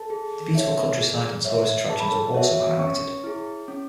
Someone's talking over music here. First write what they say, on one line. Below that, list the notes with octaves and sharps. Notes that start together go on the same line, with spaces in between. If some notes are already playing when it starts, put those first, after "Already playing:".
The beautiful countryside and tourist attractions were also highlighted.
Already playing: A4 A5
G#4
C#5 E5
G#4
C#5 E5
G#4 A5
B5
A4 A5
F#4 C#5 E5 F#5
C#4 C#5 C#6
E4 G#4
C#4